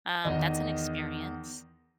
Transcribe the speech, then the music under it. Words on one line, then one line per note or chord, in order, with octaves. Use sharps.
Um, that's an experience."
E2 D#3 D#5